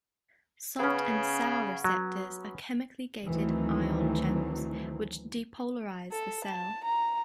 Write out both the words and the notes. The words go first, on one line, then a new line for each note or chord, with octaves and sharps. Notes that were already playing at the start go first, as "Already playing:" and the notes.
Salt and sour receptors are chemically gated ion channels, which depolarize the cell.
C#3 B3 C#4
F#3
D2 D#3 E3 F#3 A3 C4
A4
A5
A#5